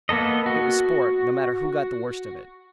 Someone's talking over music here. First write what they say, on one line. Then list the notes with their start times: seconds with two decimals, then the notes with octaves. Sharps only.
It was sport, no matter who got the worst of it.
0.09 A#3 B3 A4 D#5
0.46 F#4